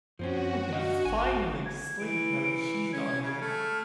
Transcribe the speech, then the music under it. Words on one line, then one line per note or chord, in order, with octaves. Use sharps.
I can finally sleep now that she's not here.
F#2 F3 C4 C#4 F#4
D4 D#5 F5
G#1 G#5
G#6
E3 D7
C#4 G#6
C#3
A3 F6